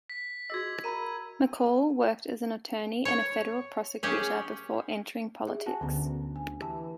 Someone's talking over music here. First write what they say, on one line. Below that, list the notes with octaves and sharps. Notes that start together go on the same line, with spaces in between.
McCaul worked as an attorney and a federal prosecutor before entering politics.
B6
F#4 G#4 D#5 E6 G#6
A#4 A#5 B5 D#7
C#5
C#4 G4 G#4
G4 G#4 E5
F#4 G#5 A5
D2 D3 B3 C#4
G#5
E3 G4 A5